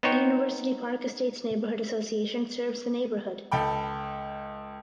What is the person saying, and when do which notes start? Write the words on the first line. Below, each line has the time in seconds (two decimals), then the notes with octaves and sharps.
The University Park Estates Neighborhood Association serves the neighborhood.
0.03 B3 D#4 C5 C#5 G5
3.52 C#2 A4 G5 B5